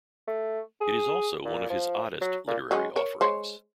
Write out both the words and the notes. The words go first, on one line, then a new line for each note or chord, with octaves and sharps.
It is also one of his oddest literary offerings.
A3
G#4
A#2
F3
F#3
A#2
F#3 G#3 C#4
A#4 C#5
G#3 C5 C#5